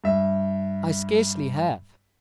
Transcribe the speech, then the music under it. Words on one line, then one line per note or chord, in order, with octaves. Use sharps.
"I scarcely have."
G2 E5